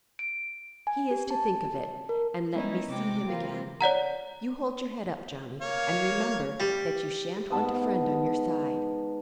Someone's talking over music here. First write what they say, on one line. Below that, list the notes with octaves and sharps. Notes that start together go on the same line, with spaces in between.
He is to think of it, and let me see him again. You hold your head up, Johnny, and remember that you shan't want a friend on your side.
D7
G#5
G4
A5
A#4
G3 G#3 B3 C#4 D#4 E4
C3 G#3 G5 D6
E3 A#3 C4 F4
C#5 D5 F#5 A#5
A#3 C#5 F5
G3
G#2 B3 A5